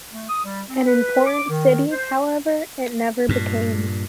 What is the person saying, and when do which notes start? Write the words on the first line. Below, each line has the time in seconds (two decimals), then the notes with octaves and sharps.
An important city, however, it never became.
0.10 A3
0.29 D#6
0.44 G3
0.68 C4
0.86 B4
1.26 D6
1.49 D#3
1.91 C5
3.29 G2 A#2